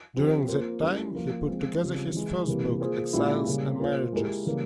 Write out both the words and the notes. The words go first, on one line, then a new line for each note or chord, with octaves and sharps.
During that time, he put together his first book, "Exiles and Marriages".
F3 C4 G4
A#3 F4 C5
G3 C#4 E4 A#4
F3 A#3 F4
F3 G#3 C4
C#3 G3 C4 F4
E3 G#3 E4
C3 E3 G3 A#3
A#3 F4 G#4 C5
A#2 G#3 C#4 E4 G4
C#3 G3 A#3
A#3 F4 C5
G#3 E4 G4 A#4
C#3 E3 G3 A#3